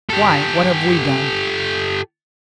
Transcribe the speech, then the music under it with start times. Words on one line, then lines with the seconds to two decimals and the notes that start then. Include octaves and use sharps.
"Why, what have we done?"
0.09 G4 A4